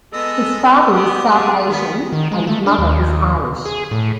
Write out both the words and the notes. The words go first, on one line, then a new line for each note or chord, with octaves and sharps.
His father is South Asian and mother is Irish.
G#3 B3 A4 D#5 E6
B3 G4 D5 F#5 D#6
G3 G#4
D#3 B3
D#3
G#3
A3
D4
D#2
G#4
A2